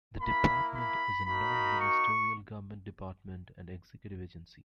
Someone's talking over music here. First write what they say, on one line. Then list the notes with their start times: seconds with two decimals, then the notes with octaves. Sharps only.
The department is a non-ministerial government department and executive agency.
0.20 A#3 E4 B5
0.74 B5
1.26 A#3 D#4 F#4 B5
1.79 C#6